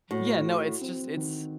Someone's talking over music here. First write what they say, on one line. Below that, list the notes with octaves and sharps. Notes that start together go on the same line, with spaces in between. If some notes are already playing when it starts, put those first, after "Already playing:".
Yeah, no, it's just it's
A2 F#4
F#4
C4
D#3